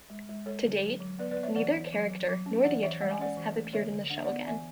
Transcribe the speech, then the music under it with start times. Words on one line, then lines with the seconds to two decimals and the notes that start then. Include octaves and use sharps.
To date, neither character, nor the Eternals, have appeared in the show again.
0.10 G#3
0.29 G#3
0.46 G#3 A4 C#5
0.64 D3
0.82 F#3
1.01 F#3
1.19 B3 B4 D5
1.31 B4 D5
1.37 B3
1.43 C#5 E5
1.55 E3 D5 F#5
1.74 E3
1.92 F#3
2.10 F#3
2.29 F#3
2.46 C#4
2.64 E3 D5 F#5
2.83 E3 C#5 E5
3.01 G#3 F#5
3.11 G#5
3.19 C#4 D5 F#5
3.37 E3
3.56 A3
3.73 D3 C#5 E5
3.92 D3
4.10 D4 F#5
4.17 E5
4.25 B3 D5 F#5
4.46 E3 E5 G#5